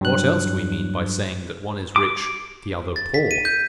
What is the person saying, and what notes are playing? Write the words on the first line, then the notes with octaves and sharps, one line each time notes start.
What else do we mean by saying that one is rich, the other poor?
G2 F#3 F#6
D6
A6
B6
D#7
G6